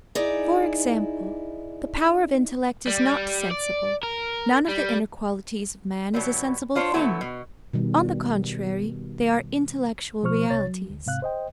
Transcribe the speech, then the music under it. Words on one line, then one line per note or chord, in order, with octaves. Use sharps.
For example, the power of intellect is not sensible; none of the inner qualities of man is a sensible thing; on the contrary, they are intellectual realities.
D#4 E4 G#4 D5
G3
D5
A#4
G3
B2 E3 F#3 G3
D4 F4 C5 C#5
D3 F#3 A3 B3 E4 F#4
B2
B2 D#3 G3
B2 F3 C5 C#6 F6
C2 C3 C#5 A6
F#3
D2
G#2 C3 F5 F#6
C5 D#5 G5